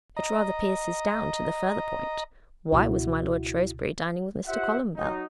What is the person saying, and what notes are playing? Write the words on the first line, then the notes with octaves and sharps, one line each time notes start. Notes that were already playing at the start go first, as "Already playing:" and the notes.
It rather pierces down to the further point, Why was my lord Shrewsbury dining with Mr. Columbell?
D#5 A#5
C#2 B2 E4 F#4
F4 G4 C5 E5 F#5
F#3 D#4